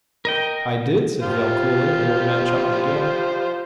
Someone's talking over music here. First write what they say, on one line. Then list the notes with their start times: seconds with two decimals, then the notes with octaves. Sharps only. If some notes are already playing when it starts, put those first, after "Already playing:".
"I did," said Hale coolly, and the old man chuckled again.
0.25 A#4 D#5 G5
1.22 G3 F4 C5